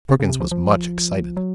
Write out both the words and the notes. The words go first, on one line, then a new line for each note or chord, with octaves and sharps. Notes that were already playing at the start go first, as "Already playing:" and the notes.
Perkins was much excited.
C#3
C#3
C3
F3
F3
F#3